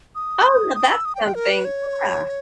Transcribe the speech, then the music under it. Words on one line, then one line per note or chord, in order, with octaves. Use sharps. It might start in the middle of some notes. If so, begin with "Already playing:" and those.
Oh, now, that's something. Yeah.
D#6
D#6
E6
D#6
G5
G5
A#4
B4
C#5